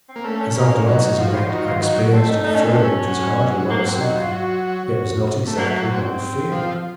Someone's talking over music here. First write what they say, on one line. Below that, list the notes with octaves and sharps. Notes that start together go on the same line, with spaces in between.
As our glances met I experienced a thrill which was hardly one of sympathy, yet was not exactly one of fear.
C4
A#3
A3 C#4
C#4
A#3 C#4
F#3 D#4
F3 F#4
C5
D#3 F#4
F4
F#3 D#4
F#3
A3 C4
D#4
A3 D#4
C#4
C4
C#4
F#3
A#3
C4
D#4
F4
F#4
A3
F#3 A#3
A3
A#3
C4
F3